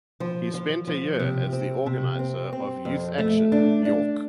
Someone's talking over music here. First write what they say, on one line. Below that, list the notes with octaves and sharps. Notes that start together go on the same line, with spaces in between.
He spent a year as the organiser of Youth Action, York.
F3
F3
F3
C3
C4
C3
C4
C4
F2
A3
D4
D4